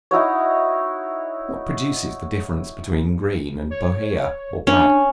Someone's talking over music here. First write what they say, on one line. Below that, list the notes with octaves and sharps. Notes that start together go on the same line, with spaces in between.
What produces the difference between Green and Bohea, or Black?
D#4 E4 F#4 C#5
C#5
C#4 D4